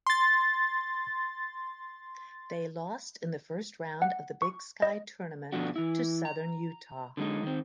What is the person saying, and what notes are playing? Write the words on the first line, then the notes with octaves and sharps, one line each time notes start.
They lost in the first round of the Big Sky Tournament to Southern Utah.
C6 A6
F#5
C#6
D#5
B2 D3 F3 D4 F#4
E3 E4
A#5
D3 F#3 G#3 D#4
D#3 C4